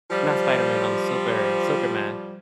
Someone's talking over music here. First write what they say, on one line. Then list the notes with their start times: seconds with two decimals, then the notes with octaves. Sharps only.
Not Spider-Man, um, Super Superman.
0.10 F3 G3